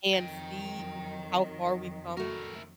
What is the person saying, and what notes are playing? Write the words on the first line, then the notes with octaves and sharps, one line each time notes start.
and see w how far we've come.
F2 D#3 F#3 D#5 G5
A3 E4 F#4 A#4